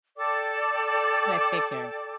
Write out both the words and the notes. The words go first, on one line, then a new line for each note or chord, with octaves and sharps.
I figure.
A4 D5 G5 D6